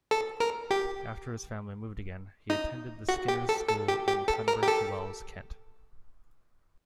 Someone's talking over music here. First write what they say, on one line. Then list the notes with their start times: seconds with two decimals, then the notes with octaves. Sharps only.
After his family moved again, he attended the Skinners' School in Tunbridge Wells, Kent.
0.11 A4
0.40 A#4
0.71 G4
2.50 D#4
3.09 F#4
3.28 G4
3.49 A4
3.69 A4
3.88 G4
4.08 G4
4.28 A4
4.48 A#4
4.63 G4
4.68 A4